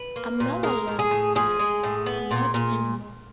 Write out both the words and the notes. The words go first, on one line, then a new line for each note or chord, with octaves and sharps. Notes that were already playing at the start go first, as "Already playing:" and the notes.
I'm not alone... not anymore.
Already playing: B4
A#3
A#2
G#3 A#4
A2
G#4
A2
F3 G#4
G#3
A2
B3
A#2
A#2